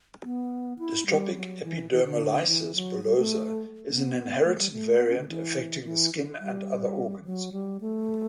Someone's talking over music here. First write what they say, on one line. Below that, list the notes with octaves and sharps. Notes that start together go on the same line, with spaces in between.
Dystrophic epidermolysis bullosa is an inherited variant affecting the skin and other organs.
B3
E4
G3
F#3
E3
E3
D3
E3
F#3
G3
A3
B3
A3
G3
A3
B3
C#4
D3
E3
E3
G3
F#3
G3
A3